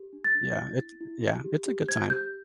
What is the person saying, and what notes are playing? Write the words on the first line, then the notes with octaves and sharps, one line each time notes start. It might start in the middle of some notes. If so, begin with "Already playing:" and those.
yeah, it yeah, it's a good time.
Already playing: G4
D4
A6
D4
E4
E4
E4
E4
G4
G4
C5 G#6
G4 G6